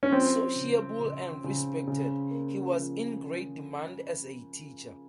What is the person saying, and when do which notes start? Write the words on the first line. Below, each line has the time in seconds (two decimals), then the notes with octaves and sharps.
Sociable and respected, he was in great demand as a teacher.
0.03 C#4
0.12 F3 C4
0.55 C#3
0.99 C#3
1.44 C#3
1.88 C#3
2.31 A#3
2.75 F3